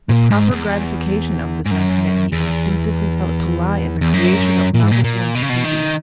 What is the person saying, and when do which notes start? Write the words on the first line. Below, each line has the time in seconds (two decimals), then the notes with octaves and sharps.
The proper gratification of the sentiment he instinctively felt to lie in the creation of novel forms of Beauty.
0.09 A#2
0.30 G#2
0.51 E2
1.65 G#2
1.71 F#2
2.32 E2
4.01 E2
4.13 F#2
4.74 A#2
4.83 G#2
4.91 A#2
5.04 A#2
5.35 B2
5.42 C#3
5.49 B2
5.64 D#3